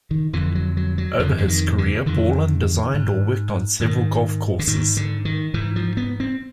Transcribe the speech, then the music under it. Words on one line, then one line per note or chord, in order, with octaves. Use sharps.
Over his career, Borland designed or worked on several golf courses.
D#3
F2 D3 E3
F#3
F#3
F#3
F2 D3 F3
D3
D#3
D3
F2 D3 D#3
G#2
G#2 D#3
D3
G#2 D#3
D3
D#3
G#2 E3
F3
B3
C4